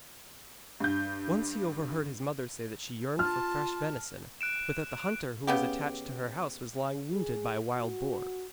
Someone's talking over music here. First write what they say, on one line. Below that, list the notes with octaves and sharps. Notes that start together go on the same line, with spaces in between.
Once he overheard his mother say that she yearned for fresh venison, but that the hunter who was attached to her house was lying wounded by a wild boar.
G2 G6
F4 A5 F6
F#6 D7 E7
C#3 B3 G4
G#4
F#4